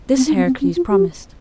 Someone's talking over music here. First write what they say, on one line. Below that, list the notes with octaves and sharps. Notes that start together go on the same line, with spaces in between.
This Heracles promised.
C4
D#4
C4
C4
C#4
F4
G4